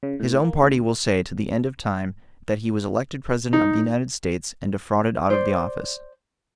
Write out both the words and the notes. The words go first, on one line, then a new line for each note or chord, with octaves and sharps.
His own party will say to the end of time that he was elected president of the United States, and defrauded out of the office.
C#3
A2
A#3
D2
D#4
C5 D5